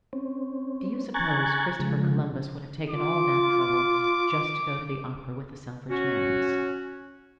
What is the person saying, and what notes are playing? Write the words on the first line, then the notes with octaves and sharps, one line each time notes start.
"Do you suppose Christopher Columbus would have taken all that trouble just to go to the Opera with the Selfridge Merrys?"
C4 C#4
G#5 A#5 C#6 F#6 G#6 A6
C#3 F3 G#3
F4 D6
C#4 F#4